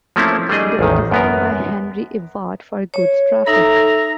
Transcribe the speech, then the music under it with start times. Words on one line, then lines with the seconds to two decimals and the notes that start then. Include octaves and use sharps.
They were designed by Henry Ivatt for goods traffic.
0.16 F3 A3 A#3 C4 C#4 E4
0.49 G3 A3 D4 G#4 D#5
0.79 A1 E2 D#3
1.11 F#2 B3 A#4
2.94 C#5
3.47 D#4 A4 E5 A#5 A#6